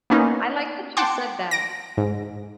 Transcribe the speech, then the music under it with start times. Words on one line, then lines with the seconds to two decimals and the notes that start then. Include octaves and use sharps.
I like that you said that.
0.10 A#3 B3 C#4 D#4
0.97 F#5 G5 A5 C6 D6
1.51 A#6 D7
1.97 G#2